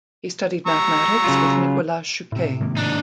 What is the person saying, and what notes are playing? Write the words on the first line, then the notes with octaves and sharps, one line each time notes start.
He studied mathematics with Nicolas Chuquet.
A#5 C#6 E6
C#3 F#3 F4
A2 C3
G#2 D#3 A#3
D4 D#4